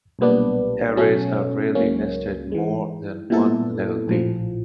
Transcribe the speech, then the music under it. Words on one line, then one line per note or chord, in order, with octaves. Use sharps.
Arrays are rarely nested more than one level deep.
B1 A#2 G3 B3 D4
B2 F#3 A3 C#4
C#2 C#3 F#3 A#3 C#4
G#2 E3 G#3
A#2 G3 B3 E4 A4
A#1 A2 F3